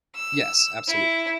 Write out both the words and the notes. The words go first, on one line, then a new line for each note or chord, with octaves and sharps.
Yes, absolute.
E6
E4